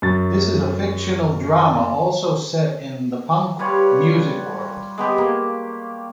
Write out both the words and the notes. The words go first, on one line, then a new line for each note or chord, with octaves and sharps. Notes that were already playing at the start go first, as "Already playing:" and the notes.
This is a fictional drama also set in the punk music world.
F#2 A6
G3 F4 B4 C#5
G#3 B3 G4
A#3